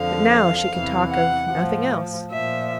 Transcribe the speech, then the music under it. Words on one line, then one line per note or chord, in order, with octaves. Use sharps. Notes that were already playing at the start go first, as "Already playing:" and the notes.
But now she could talk of nothing else.
Already playing: F2 D3 F3 F5
E2 C3 E3
F#5
A2 F3
A#2 F3 E5